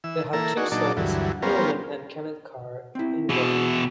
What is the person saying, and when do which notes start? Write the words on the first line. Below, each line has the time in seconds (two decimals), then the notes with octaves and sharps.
They had two sons, Norman and Kenneth Carr Ingraham.
0.04 E3 E6
0.33 E3 A#3 A4 A#5 E6
0.57 D#4 F#4 G#4 D5 C#6
0.71 A#2 F#3 D4 D#4 A5 D6
0.97 D2 G2 E3 F#3
1.42 G3 B3 C#4 F4 A#4 C5
2.95 C4 E4
3.30 B2 E3 E4 F#4 G#4